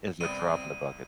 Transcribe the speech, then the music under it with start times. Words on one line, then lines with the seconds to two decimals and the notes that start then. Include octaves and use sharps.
It's a drop in the bucket.
0.21 C2 G3 B3 C4 D5 D#6 D#7